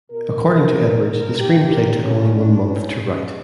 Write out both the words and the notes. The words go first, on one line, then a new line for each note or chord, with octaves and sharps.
According to Edwards, the screenplay took only one month to write.
B2 A#4
A#4
A#2 G4
A#4
C#4
D4
B2 C#4